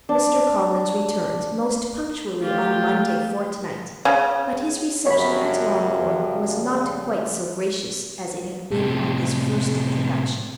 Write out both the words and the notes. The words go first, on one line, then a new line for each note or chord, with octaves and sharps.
Mr. Collins returned most punctually on Monday fortnight, but his reception at Longbourn was not quite so gracious as it had been on his first introduction.
D4
A3 F4 G4
C#3
F#2 C#3 F3 G3 C#5 B5
A2 C3